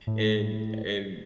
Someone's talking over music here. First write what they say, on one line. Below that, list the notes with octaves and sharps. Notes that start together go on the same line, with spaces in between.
and and,
A2